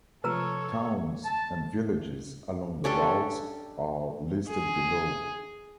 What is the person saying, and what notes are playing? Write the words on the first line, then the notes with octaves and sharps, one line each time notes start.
Towns and villages along the routes are listed below.
C3 F3 A4 B4 C#5 A#5 E6
A5
C#4 D4 G4 A4
G#4